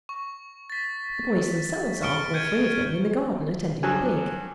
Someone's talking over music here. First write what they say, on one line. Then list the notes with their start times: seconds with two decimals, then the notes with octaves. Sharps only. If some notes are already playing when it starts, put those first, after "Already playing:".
The boys themselves are, all three of them, in the garden attending the pig.
0.09 C#6
0.70 A6 B6
2.02 C#6 F6 C#7 D7 G7
2.34 F6 G6 G#6 C#7 D#7
3.83 G2 F3 F#3 G#5